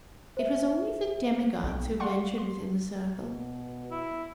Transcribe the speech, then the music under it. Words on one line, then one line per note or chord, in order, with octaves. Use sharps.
It was only the demigods who ventured within the circle.
C5 E5
B1 G5
D5 F5 F#5 C6 C#6
C6
B2
E4